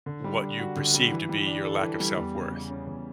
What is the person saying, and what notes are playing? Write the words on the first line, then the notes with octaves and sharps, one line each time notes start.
what you perceive to be your lack of self worth,
D3
G3
D4
F#4
D3
G3
E3
G3
D4
A4
E3
G3
E2
C#3
G3
C#4
E2